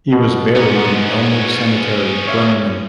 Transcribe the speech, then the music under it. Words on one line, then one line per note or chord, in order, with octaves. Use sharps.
He was buried in Elmwood Cemetery, Birmingham.
B2
G#2 B3 C#4 A#5
G#2
C#5 E5 F5